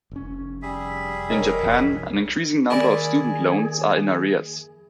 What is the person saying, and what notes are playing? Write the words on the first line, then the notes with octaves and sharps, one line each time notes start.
In Japan, an increasing number of student loans are in arrears.
F1 C#4
G3 G#4 E5
F1 A#4 C#5 D#5
F#1 C2 F3
D#2 E4 G#4 A#4 D5 G#5 D6